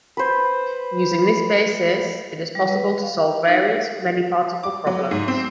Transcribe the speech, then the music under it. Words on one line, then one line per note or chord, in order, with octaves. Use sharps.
Using this basis, it is possible to solve various many-particle problems.
B4 C5
G3
B4
F5
D#4
D6
F#3
G#2
C4